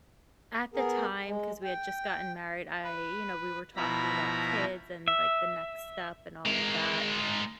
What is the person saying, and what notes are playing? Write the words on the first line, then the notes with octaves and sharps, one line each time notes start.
at the time, because we had just gotten married, I you know, we were talking about kids and, like, the next step and all of that.
B3 G#4 A#4
G#3
G5
B4
B2 F3 E4 A#5 B5
E5
G#3 A#4